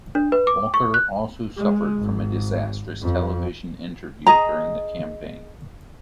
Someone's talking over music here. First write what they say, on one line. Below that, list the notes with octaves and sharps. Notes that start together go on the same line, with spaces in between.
Walker also suffered from a disastrous television interview during the campaign.
D4
B4
D6
C#6
F#6
G#3
G#1
F2
G#4 D#5 A#5